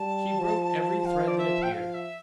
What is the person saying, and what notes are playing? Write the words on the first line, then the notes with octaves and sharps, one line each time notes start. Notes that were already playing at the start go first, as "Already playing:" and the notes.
She broke every thread that appeared.
Already playing: G3 A5
F3
F5
D5
E5
G5
F3 F5
E5